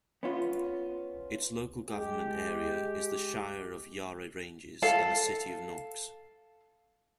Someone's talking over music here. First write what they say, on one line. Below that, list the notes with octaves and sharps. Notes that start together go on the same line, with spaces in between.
Its local government area is the Shire of Yarra Ranges and City of Knox.
B3 C#4 F4
G#3 G4
A4 F5